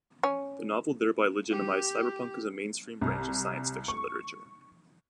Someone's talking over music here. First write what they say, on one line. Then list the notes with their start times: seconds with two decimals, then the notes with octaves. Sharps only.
The novel thereby legitimized cyberpunk as a mainstream branch of science fiction literature.
0.23 C#4
1.51 G4
3.01 C2
3.88 C#6